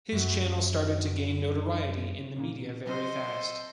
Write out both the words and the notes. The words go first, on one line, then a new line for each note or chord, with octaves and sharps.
His channel started to gain notoriety in the media very fast.
F#2 F#3
A#2 A#3
F#3 C4 A4 C5 D#5